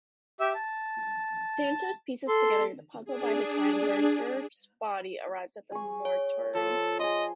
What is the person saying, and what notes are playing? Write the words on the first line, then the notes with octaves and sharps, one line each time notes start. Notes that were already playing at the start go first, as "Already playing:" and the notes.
Santos pieces together the puzzle by the time Bergdorf's body arrives at the mortuary.
G4 E5 E6
A5
A4 C6
D4 G#4
G#4 C#6
C#5
F3 A4
G#4 D#5 C6